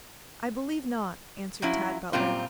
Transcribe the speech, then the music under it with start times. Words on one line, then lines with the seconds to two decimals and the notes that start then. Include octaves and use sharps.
"I believe not," answered Tad Butler.
1.62 F3 F#3 C#4 E4
2.13 F#2 A#2 G3 C4 F4